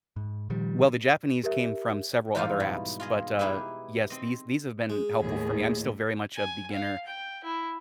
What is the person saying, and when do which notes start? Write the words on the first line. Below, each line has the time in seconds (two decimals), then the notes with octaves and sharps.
Well, the Japanese came from several other apps, but, uh, yes, these these have been helpful for me, I'm still very much a beginner
0.16 G#2
0.50 A#2 D#3 F3 G3
1.43 G4 A#4 E5
2.35 G#2 E3 G3 D#4 F4 F5
2.60 B2
3.00 F4 G#4 D#5
3.39 D#4 E4 G4 G#4 B4
4.10 C4 D#5
4.90 G#3
5.20 D#2 A2 G#4
6.36 G#5
6.72 F5
7.08 G5
7.44 E4